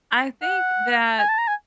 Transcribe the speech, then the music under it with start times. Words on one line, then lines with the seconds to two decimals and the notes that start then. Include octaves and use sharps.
I think that
0.42 F#5
1.19 G#5
1.28 A5
1.38 A#5
1.47 G#5